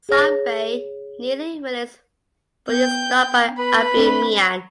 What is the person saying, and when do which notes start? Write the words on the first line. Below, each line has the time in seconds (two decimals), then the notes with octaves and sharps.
Sonbai nearly relents, but is stopped by Abu Mian.
0.09 G#4 C#5 A#6
2.69 B3 G5 G6
3.58 B4 B5
3.97 C4 D4